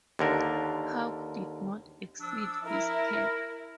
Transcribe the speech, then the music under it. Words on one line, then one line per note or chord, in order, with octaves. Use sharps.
Hawke did not exceed his cap.
D#2 D3 A#4
F3 D4 E6
E4 A#4